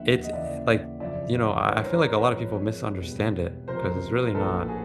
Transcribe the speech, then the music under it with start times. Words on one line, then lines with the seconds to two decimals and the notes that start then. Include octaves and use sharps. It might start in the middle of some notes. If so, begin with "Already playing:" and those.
it's, like, you know, I I feel like a lotta people misunderstand it 'cause it's really not
Already playing: D#2 D3 F3 E5 F#5
0.23 D#5
0.33 D#2 C#3 E3 D5 E5
1.00 F#1 F2 C#3 F3 D5 E5
1.67 A1 G2 E3 G#3 C#4 B4 C#5
1.84 A#4 C5
2.00 A#4 C5
2.17 B4 C#5
2.34 G#1 G#2 F3 G#3
3.01 E1 E2 B2 G3
3.68 C#2 C3 F3 A#4 C5
4.28 A#4
4.35 A#1 A2 F3 A4 B4
4.68 F#4 G#4